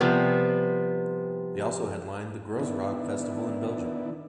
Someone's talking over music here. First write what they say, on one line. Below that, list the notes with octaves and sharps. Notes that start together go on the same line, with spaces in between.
They also headlined the Groezrock festival in Belgium.
C3 F3 G3 B3
D#3 B3 D4 E4